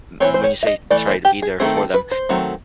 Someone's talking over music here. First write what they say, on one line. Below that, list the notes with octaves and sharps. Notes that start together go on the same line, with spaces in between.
and when you say try to be there for them,
E3 A3 C4 C#5
C5
C#5
E5
D#5
E3 A3 D5
C5
G4
G#4
D#3 F#3 A3 C4 G#4
A4
B4
C5
D#3 F#3 A3 C4